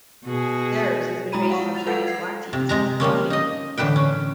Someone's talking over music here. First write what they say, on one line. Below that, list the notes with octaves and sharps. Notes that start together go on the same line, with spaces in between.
Theirs has been based on Chinese black tea since the beginning.
B2 F#4 G#4
G#3 E4 F#4 A#5 B5 D#7
F5 F#5 C#6
F4
A6 F7
F4 A4 B4 F5 F#5
G#6 C7
C3
C3 G#3 A#5
F3 G3 A#3 C#4
D#4 D#5
A2 D3 E3 B4 G5
C#4